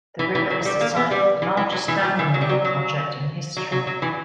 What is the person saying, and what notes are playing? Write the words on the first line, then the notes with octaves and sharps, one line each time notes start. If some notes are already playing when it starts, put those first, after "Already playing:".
The river is the site of the largest dam removal project in history.
E3
E3
F#3
G3
A#3
B3
G3
E3
E3
F#3
E3
F#3
E3
F#3
G3
F#3
F#3
F#3
F#3
F#3
E3